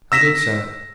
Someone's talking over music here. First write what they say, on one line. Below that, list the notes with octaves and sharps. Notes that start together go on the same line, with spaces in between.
I did so.
E6 A#6 B6 E7